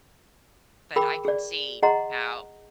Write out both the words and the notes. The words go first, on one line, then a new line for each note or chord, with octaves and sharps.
But I can see how
G#4 A#4 G5 B5 D6
G#4 D5
G#4 D#5 F#5 A#5 C6